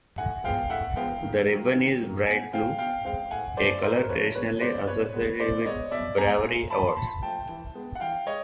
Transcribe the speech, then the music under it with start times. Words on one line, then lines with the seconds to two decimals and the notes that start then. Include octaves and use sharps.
The ribbon is bright blue, a colour traditionally associated with bravery awards.
0.18 A2 F#5 G#5
0.44 F3 G#3 B3 F5 G5
0.70 A2 E5 F#5
0.96 F3 G#3 B3 F5 G5
1.23 D#3
1.49 F#3 A#3
1.75 D#3
2.01 F#3 A#3
2.27 B2 F#5 G#5
2.52 G#3 C4 F5 G5
2.78 B2 F5 G5
3.05 G#3 C4 F5 G5
3.31 A2 F#5 G#5
3.57 F3 A3 C4 C5 D5
3.83 A2 A#4 C5
4.09 F3 A3 C4 B4 C#5
4.35 B2 B4 C#5
4.61 G#3 B3 C5 D5
4.87 B2 B4 C#5
5.14 G#3 B3
5.40 B2 C5 D5
5.61 D5
5.65 G#3 B3 C#5 D#5
5.91 B2 D5 E5
6.17 G#3 B3 G#5 A#5
6.43 A#2
6.70 F3 A3 A5 B5
6.87 C6
6.96 A#2 A5 B5
7.23 F3 A3 G5 A5
7.49 E3
7.75 G#3 B3
7.95 F#5
8.00 E3 F5 G5
8.26 G#3 C#5 D#5